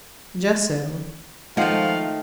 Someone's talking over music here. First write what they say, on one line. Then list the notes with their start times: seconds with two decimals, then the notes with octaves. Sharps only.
"Just so."
1.57 D#3 F3 G#3 A3 C5 F5 F#5